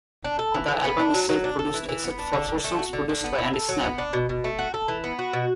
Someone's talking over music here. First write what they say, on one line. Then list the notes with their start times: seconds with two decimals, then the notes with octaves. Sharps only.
The album is self-produced except for four songs produced by Andy Sneap.
0.24 D4
0.39 A4
0.54 E3
0.68 E3
0.84 B3
0.99 D4
1.14 F#3
1.29 F#3
1.44 D4
1.59 A4
1.74 E3
1.89 E3
2.04 B3
2.19 D4
2.33 D3
2.48 D3
2.64 A3
2.79 F#4
2.93 D3
3.09 D3
3.24 B3
3.38 E4
3.54 A4
3.69 F#3
3.83 B3
3.98 D4
4.13 B2
4.29 B2
4.44 A3
4.59 F#4
4.74 A4
4.88 E3
5.04 B3
5.19 F#4
5.33 B2